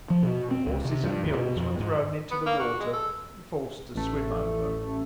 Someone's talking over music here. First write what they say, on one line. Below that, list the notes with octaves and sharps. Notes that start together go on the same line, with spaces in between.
The horses and mules were thrown into the water and forced to swim over.
F3
B2
C4
C#2
C3
G2
D2
B2
F2
G#2
B3
A#3
F#4
G#3
A4
A1 A3